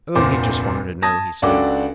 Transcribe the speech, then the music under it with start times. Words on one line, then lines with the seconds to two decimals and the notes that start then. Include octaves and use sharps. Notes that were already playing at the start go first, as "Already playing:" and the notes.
Oh, he just wanted to know, he said.
0.15 F1 D2 A#2 C5 D6
1.03 A5 D#6 G#6 A#6
1.42 C#2 D4 F#4 A4 G5 D6